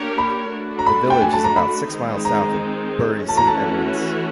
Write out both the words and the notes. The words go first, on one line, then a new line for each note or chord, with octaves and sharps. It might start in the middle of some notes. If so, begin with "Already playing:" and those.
The village is about six miles south of Bury Saint Edmunds.
Already playing: A#3 D4 G4 A#4 C#5
B5
A3 D4 F#4
A#5
B5
G5
G#5
A5
A#5
B5
D#3 G#3 C4 D#4
A#5
E3 A3 C#4 F#4 A5
A#5
A5